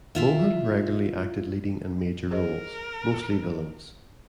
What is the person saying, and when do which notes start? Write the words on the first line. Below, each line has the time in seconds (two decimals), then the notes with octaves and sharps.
Mohun regularly acted leading and major roles, mostly villains.
0.15 E4 F4 E5
2.31 G#4 A#4 C5 D#5